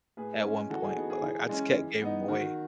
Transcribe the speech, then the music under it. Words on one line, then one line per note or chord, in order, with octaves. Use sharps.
at one point, but, like, I just kept gave them away,
A2 G#4 B4
G#3 C#4
E3 F#4 A4
G#4
B3 D#4 F#4
G#4
E3
G#3 C#4
E3
B3 D#4
D#3 F#4